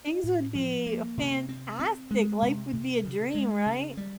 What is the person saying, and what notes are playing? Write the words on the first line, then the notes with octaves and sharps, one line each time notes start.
things would be a fantastic, life would be a dream, right?
A2
F3
A#3
C3
C4
C4
G#3
C3
C3
C#3
G#3
C#3
G3